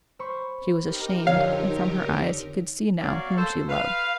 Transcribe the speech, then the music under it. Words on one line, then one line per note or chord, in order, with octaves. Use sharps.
She was ashamed, and from her eyes he could see now whom she loved.
C5 B5 C#6
D#4 G4 A#4
F2 D3 C#5 F5
F#3 A#3 C#5 D5 F5
A4 C5
B4 F5